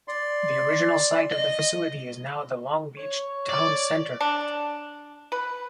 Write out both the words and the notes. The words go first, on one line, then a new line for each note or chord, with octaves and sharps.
The original site of the facility is now the Long Beach Towne Center.
D5 C6
D#5
C#5
D5
D4
B4